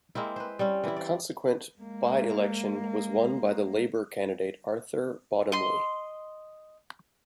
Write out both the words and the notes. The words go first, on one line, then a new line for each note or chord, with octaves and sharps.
The consequent by-election was won by the Labour candidate Arthur Bottomley.
G#3 A#3 C4 E4
B4 C5
G3 C4 C#4
E3 E4
D5
G#3 A#3
D#5 C6